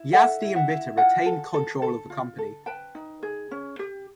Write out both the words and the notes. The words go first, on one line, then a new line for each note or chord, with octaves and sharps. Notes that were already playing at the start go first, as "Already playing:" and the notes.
Yazdi and Ritter retained control of the company.
Already playing: E4
A4 E5 F#5
E4
E5 F#5
E4
F4 F#5 G#5
A4
A4
A4
F4
A4
B4 G5 A5
D#4
G#4
C#4
G4